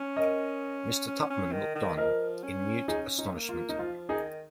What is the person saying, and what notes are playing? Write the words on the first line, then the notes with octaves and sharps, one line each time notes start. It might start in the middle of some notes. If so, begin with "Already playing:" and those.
Mr. Tupman looked on, in mute astonishment.
Already playing: C#4
A#4 D#5
C#4
C#4
D#3
D#3
F3 A#4 D#5
C#4
C#4 D#4 G#4
D#4
A#3
F4
D#4
F3 F4
D#3 D#4 G#4